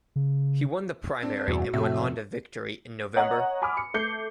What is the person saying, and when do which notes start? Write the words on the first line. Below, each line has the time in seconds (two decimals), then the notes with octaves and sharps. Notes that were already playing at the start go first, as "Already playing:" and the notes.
He won the primary and went on to victory in November.
0.16 C#3
1.23 C4 D4
1.48 E2 G2 B2 F#4
1.74 F2 A2 C3 A3 E5
3.16 C#5 D#5 F#5 A#5
3.62 G#5 B5 D6 D#6 F6
3.77 C#7
3.94 A3 D6 G6 C7 C#7